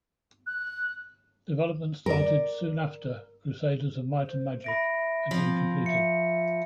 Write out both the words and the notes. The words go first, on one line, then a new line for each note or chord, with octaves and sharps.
Development started soon after "Crusaders of Might and Magic" had been completed.
F#6
A#4 D5
C5
E5 B5 A#6 D7
F3 C4
E5 C#7